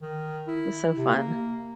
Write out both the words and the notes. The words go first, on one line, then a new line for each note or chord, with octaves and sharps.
was so fun.
D#3
E4
C3
A#3